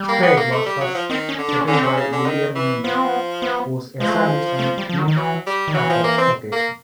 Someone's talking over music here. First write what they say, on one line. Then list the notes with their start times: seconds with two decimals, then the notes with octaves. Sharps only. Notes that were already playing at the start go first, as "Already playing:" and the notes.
Sprague was first settled by William Newman, who established an inn at the location.
Already playing: G3
0.09 A#3
0.23 B3
0.37 A#3
0.52 A3
0.66 G3
0.81 F#3
0.95 F3
1.10 D#3 C4
1.29 C#4
1.38 D3
1.49 D4
1.61 C#4
1.67 D3
1.73 C4
1.83 C3 C#4
1.97 C#3
2.12 D3
2.25 D#3
2.55 E3
2.84 F3 B3
2.95 C4
3.05 B3
3.42 B3
4.00 F3 G#3
4.08 A3
4.15 G#3
4.59 A3
4.78 G3
4.89 F3
4.98 F#3
5.08 D#3
5.16 E3 F#3
5.46 G3
5.68 D#3
5.74 E3 F#3
5.89 F3
6.04 A#3
6.18 C4
6.52 A#3